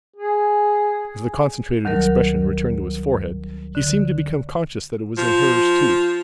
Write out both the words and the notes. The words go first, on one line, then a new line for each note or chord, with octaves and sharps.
As the concentrated expression returned to his forehead, he seemed to become conscious that it was in hers too.
G#4
D2 D#3 F#3 G3 A#4
D3
F3